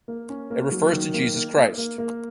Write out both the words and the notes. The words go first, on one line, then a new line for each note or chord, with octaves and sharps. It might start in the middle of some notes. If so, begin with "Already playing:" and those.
It refers to Jesus Christ.
A#3
C#4
A#3
F#3
D#3
A#3
A#3
A#3
A#3
A#3